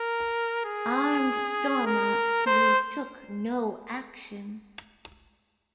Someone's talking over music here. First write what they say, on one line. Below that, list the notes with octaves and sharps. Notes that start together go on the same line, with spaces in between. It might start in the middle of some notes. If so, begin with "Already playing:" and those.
Armed Stormont police took no action.
Already playing: A#4
G#4
A#4
C5